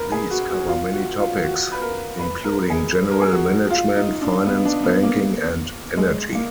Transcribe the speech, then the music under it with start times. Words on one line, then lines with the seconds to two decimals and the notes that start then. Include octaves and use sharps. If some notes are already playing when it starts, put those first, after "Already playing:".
These cover many topics including general management, finance, banking and energy.
Already playing: A#4 B4
0.12 G#4
0.30 F#4
0.50 F#4
0.68 F4
0.93 F#4
1.19 F4
1.43 F#4
1.72 B4
1.82 A#4
2.19 B4
2.44 A#4
2.70 G#4
3.11 A#4
3.21 G#4
3.32 F#4
3.70 F4
3.96 D#4
4.21 D4
4.47 B3
4.65 D4
4.83 B3
5.03 A#3
5.97 G#3
6.35 A#3